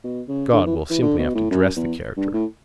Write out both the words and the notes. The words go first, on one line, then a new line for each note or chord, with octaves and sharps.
God, we'll simply have to dress the character.
B2
C#3
D3
E3
E3
D3
B2
A2
F#2
E2
G2
A2